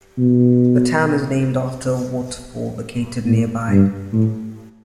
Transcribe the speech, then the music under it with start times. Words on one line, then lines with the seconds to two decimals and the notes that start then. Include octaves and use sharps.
The town is named after a waterfall located nearby.
0.18 B2
3.25 A2
3.69 G2
4.13 A2